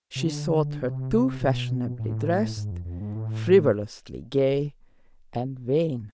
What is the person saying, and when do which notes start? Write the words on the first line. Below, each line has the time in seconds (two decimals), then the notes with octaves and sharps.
She thought her too fashionably dressed, frivolously gay and vain.
0.16 C3
0.27 D3
0.84 C3
1.41 B2
1.99 A2
2.57 G#2
2.71 F2
2.85 F2
3.00 G#2
3.15 A2